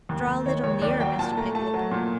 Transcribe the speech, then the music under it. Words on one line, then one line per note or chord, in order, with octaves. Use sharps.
Draw a little nearer, Mr. Pickwick.
D#2
D#2
D#3 C#5
D#2 C#5
D#2 D5
F#3 G5
A#2 A5
A3 A#5
A3 A5
F#3
A#2